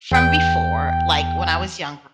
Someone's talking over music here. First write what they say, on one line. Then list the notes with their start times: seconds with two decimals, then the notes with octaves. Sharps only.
from before, like, when I was younger,
0.11 E2 G5